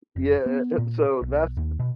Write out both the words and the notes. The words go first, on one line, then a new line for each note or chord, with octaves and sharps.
yeah, so that's
F1
B3
A#2
B1
D#2
B2